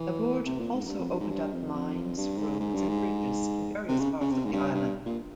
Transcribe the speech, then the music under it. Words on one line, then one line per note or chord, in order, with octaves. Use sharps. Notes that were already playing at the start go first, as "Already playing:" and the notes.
Laborde also opened up mines, roads, and bridges in various parts of the island.
Already playing: E3
C3
A#2
G#2
F2
G2
F2
G2
G#2
G2
F2
F2
G2
G#2
G#2
G2
G#2
C3
C#3
C#3
C3
G#2
G2
G2
A#2